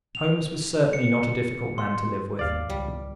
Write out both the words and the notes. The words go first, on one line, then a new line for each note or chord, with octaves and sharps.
Holmes was certainly not a difficult man to live with.
F7
C#7
C6
G#1 D#2 D5 F5
C#2 G3